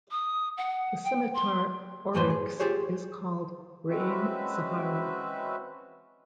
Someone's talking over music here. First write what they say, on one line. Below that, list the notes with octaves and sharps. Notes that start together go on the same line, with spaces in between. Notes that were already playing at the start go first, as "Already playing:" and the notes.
The scimitar oryx is called "re'em Sahara".
D#6
F#5
G5
C6
F#2 A2 E3 B4 C5 C6
G#4
F4 G4 G#4 C5 C#5
G#3 C4 C#4 F#4 B4 E5